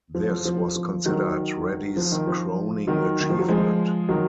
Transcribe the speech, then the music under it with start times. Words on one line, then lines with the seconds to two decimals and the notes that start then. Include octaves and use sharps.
This was considered Reddy's crowning achievement.
0.15 F3
0.30 F3
0.45 F3
0.60 F3
0.75 F3
1.05 D#3 F#3
1.96 F3
2.12 D#3
2.27 F3
2.87 D#3 F#3
3.21 D#3
3.30 F3
3.39 F#3
3.48 F3 G#3
4.09 D#3 F#3